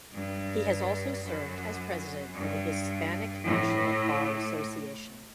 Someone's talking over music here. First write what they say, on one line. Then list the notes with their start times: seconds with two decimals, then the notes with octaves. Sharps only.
He has also served as president for the Hispanic National Bar Association.
0.12 G2
1.23 F#2
2.34 G2
3.44 A2